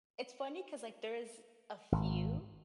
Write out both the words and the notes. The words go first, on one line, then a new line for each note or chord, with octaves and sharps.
it's funny 'cause, like, there's a few,
G#1